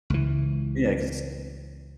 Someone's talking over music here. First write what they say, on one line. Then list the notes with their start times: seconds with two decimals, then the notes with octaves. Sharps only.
Yeah, 'cause
0.10 C#2 E3